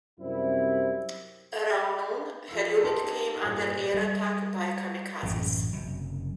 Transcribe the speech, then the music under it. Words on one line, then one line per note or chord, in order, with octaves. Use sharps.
Around noon, her unit came under air attack by "kamikazes".
F#2 C3 G3 C4 E4
F3 F4 E6
D#4 G4 A#4 A5 C6
G2 A#2 C#5
G3
A1 F#2 A#2 C#3
F#1 F#2 C3 F#3